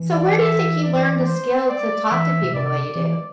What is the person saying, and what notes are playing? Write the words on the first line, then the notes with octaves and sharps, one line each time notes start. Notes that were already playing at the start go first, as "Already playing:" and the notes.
So, where do you think you learned the skill to talk to people the way you do?
Already playing: E3
D5
E5
D5
C5
D5
E3 E5
B2
C3 D5
E3 D5